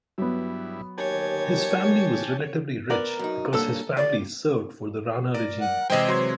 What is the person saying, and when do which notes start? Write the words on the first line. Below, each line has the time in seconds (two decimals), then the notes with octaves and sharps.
His family was relatively rich because his family served for the Rana regime.
0.18 G2 F#3 B3 E4
0.98 D#2 G4 C#5 G#5 A5
2.90 B3 A#4 D5
3.19 F#2 D#4
3.53 G2 A#3 C#4 A4 E6
3.97 F4 G4 D5
5.34 A#4 D5
5.61 F#5
5.90 C3 E3 G#3 C5 D#5 G5
6.08 F#3 C6 G#6